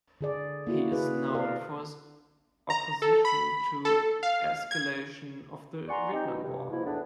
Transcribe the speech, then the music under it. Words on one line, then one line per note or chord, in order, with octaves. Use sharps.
He is known for his opposition to escalation of the Vietnam War.
D3 G#4 D5
A#3 E4 F#4
G#4 B4
A#4 D5 F5
A#5
A4
B5
A4
F5
G#6
D5 F#5 G#5 A#5 C6 C#6
C4 D#4 G4
B2 D#4 E4
G2 C3
G#2 B2 F3 A#3 E4
E2 A2 B3 D4